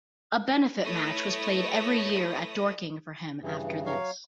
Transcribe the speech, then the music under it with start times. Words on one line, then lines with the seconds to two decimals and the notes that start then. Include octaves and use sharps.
A benefit match was played every year at Dorking for him after this.
0.84 A3 E4 B4 C#5 D#6 A#6
3.42 G2 C#3 E3
3.86 F#3 C#5 F5